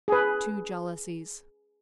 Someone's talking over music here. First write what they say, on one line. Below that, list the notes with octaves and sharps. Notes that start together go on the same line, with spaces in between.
Two Jealousies.
G#4 B4